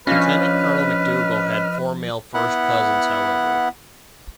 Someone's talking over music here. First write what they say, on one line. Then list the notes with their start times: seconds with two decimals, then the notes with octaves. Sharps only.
Lieutenant Colonel MacDougall had four male first cousins, however.
0.07 F3 C#4 D4 F4 B4 D#5 F6
2.34 B3 E4 F#5